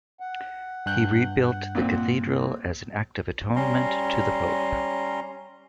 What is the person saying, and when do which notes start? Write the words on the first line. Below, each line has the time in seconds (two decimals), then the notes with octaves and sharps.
He rebuilt the cathedral as an act of atonement to the Pope.
0.20 F#5
0.86 G2 F#6 G6
1.75 A#2 C4
3.56 G3 C#4 A#5 C6